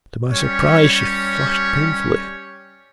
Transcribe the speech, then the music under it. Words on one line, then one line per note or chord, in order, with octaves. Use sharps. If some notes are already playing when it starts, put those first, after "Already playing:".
To my surprise, she flushed painfully.
G3 C#4 C#5